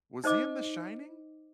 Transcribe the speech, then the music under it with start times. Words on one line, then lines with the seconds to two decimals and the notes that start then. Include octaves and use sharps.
Was he in The Shining?
0.24 D#4 C5 D#5 D6